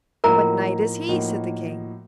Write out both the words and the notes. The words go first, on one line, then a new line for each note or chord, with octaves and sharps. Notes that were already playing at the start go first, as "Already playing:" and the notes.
What knight is he? said the king.
A2 F3 A#3 D#4 F#4 A#4 A#5
A2 F3 A#3 D#4 F#4